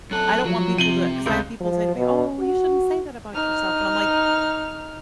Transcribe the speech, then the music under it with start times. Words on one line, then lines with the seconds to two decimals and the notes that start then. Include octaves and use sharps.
I don't want people to 'cause I have people say to me, "Oh, you shouldn't say that about yourself," and I'm like,
0.11 F#2 A4 F#6
0.45 F3 F#3
0.78 C3 D#7 F#7 G7
1.26 C#2 G6
1.60 F3
1.95 B2
2.39 F#4
3.34 D#4 F6